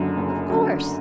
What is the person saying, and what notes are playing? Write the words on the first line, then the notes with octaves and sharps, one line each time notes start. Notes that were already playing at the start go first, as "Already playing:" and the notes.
'Of course.
Already playing: F#1 F#2 D3
F#1
F#2 D3